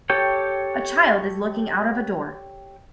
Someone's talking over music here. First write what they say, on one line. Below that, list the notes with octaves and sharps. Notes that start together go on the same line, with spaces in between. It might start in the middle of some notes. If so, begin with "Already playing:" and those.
A child is looking out of a door.
G4 A4 C#5 G5